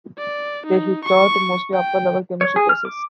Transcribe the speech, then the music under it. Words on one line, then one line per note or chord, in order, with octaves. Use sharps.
There, he taught mostly upper level chemistry courses.
D5
D#4
C#6
G5
C#5
G#4
F6
D6